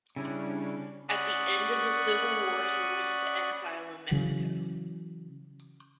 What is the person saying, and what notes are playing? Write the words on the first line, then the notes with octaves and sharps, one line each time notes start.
At the end of the civil war he went into exile in Mexico.
C#3 G3 C#4 D4 E4
C#4 D5 F#5 B5 C#6 D#6
C#3 E3 F#3